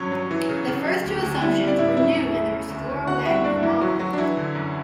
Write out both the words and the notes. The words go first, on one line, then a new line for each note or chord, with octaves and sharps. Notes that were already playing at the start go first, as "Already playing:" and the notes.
The first two assumptions were new in the Rescorla-Wagner model.
Already playing: G2 F#3 C#4 C#5
F#3
E3
C#3
C#3
F#3
D2
D2
G3 E4 E5
G3
D5
A2 E4 E5
F#3 E4 E5
E2
E2
C#3
D2
D2
D3 F#4 F#5
G3 E4 E5
G2 D4 D5
F#2 E3 E4
F#2 F#3 F#4
E3 F#3 F#4
D4
E3 F#3 E4
D3
F#2